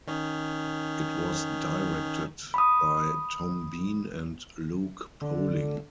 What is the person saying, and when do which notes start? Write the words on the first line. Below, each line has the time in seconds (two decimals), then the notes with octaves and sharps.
It was directed by Tom Bean and Luke Poling.
0.07 D#3 C#4 D#4
2.54 B5 D#6
5.22 D3